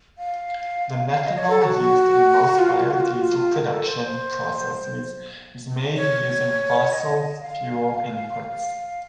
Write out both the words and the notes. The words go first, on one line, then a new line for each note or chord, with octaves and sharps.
The methanol used in most biodiesel production processes is made using fossil fuel inputs.
F5
F5
D#5
C#5
A4
F#4
F4
F#4
F4
F#4
F4
F#4
F4
A#4
A4
C5
C#5
D#5
F5